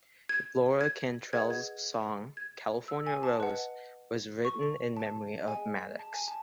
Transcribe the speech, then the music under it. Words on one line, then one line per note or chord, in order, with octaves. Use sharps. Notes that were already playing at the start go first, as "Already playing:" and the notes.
Laura Cantrell's song "California Rose" was written in memory of Maddox.
G#6
G#6
G#4 B4 D#5 F#5 G#6
G#6
G#6
E6
G#5
A5
B4 D#5 F#5
C#6
A5
G#4 D#5 F#5 G#5
A5
G#5
A5